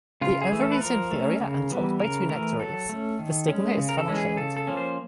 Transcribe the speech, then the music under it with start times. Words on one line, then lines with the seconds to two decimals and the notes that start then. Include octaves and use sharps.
The ovary is inferior and topped by two nectaries, the stigma is funnel-shaped.
0.21 C#3 F4
0.42 G#4
0.51 E3 A3
0.61 A4
0.72 B4
0.80 F3 A#4
1.11 A3 C#4
1.40 C#3
1.70 E3 G3 B3
2.00 C#3 A#4
2.29 E3 A3 A#4
2.59 F#3 A4
2.89 A3 C#4
3.19 D#3
3.48 G#3 C#4
3.77 C#3
3.89 A#4
3.98 A4
4.08 E3 G#3 C#4
4.17 G#4
4.37 C#3 A4
4.57 A4
4.67 F3 A#3 C#4
4.77 C5